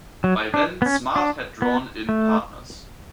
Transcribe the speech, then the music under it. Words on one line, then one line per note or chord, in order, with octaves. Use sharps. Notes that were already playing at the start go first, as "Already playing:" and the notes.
By then, Smart had drawn in partners.
F#3
D4
B3
C#4
D4
B3
A3